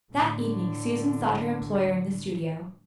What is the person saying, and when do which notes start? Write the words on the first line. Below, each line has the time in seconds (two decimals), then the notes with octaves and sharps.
That evening Susan sought her employer in the studio.
0.11 A2 D3